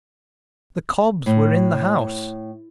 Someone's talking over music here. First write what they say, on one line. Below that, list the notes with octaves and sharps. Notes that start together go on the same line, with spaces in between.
The cobs were in the house!
A2